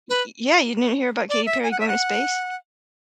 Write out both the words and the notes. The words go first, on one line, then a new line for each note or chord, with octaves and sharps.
Y y yeah, you didn't hear about Katy Perry going to space?
B4
D5
E5
G#5
F#5
E5
F#5